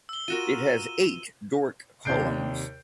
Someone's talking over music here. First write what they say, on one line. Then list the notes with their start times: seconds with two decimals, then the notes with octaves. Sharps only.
It has eight Doric columns.
0.09 E6 G7
0.28 F4 F#4 A#4 D#7 E7
2.05 D#2 C3 D5 G6 C7 D7